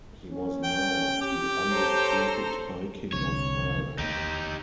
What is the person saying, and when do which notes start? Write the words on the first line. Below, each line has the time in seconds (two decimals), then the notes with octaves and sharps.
He was now the undisputed High King of Ireland.
0.30 C#4
0.63 G5
1.21 G4
1.71 A4 C5 C#5 A#5
3.12 C2 D3 C4 C#5
3.99 D#2 D#4 G4